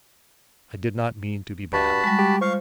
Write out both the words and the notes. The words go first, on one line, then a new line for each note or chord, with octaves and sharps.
I did not mean to be bad.
G2 F#4 A5 B5
G3 G#3
G4
F3 F5 C#6